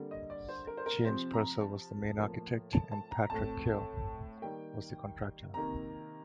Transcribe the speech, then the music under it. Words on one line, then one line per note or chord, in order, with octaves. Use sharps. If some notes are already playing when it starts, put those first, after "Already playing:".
James Purcell was the main architect and Patrick Keough was the contractor.
Already playing: D3 G3 A#3
D#5
D5
C5
A#4
C5
A#4
C3 F3 C4 C5
A#5
A5
A2 F3 A#3
A5
A5
A#5
A2 A3 C4 A5
D#3 G3 A#3 G5
C3 D#3 A#3 A#5